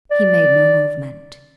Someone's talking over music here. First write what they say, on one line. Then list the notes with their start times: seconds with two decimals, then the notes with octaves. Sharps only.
He made no movement.
0.11 D5